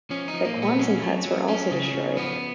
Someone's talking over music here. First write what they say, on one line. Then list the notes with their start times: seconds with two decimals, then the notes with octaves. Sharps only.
The Quonset Huts were also destroyed.
0.10 F3 C#4
0.28 D#4
0.33 F3
0.45 A#3
0.57 A#2
0.62 B3
0.79 F#3 C#4
1.02 F#3
1.25 F#3
1.48 F#3 C#4
1.71 C#3
1.94 C#3
2.17 F3 B3